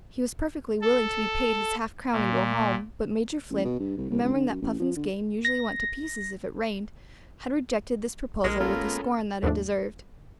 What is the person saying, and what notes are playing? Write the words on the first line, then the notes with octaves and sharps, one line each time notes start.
He was perfectly willing to be paid his half-crown and go home, but Major Flint, remembering that Puffin's game usually went to pieces if it rained, had rejected this proposal with the scorn that it deserved.
A4
A#2
A1
B2
G2
C2
C2
C#2
D3
F#2
A1
F3
D3
A#6
A#1 G#3 A#4 F6 G#6 A#6
G#3 A#3 B3 C#4 F4 A4
D#2 G#2 F3 A3 D4